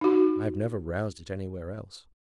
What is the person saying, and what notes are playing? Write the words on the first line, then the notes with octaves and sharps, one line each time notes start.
I have never roused it anywhere else.
D#4 F#4